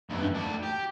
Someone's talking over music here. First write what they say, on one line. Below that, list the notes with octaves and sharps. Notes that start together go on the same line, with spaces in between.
Oh, me too.
D#2 E3
D2 D4
G4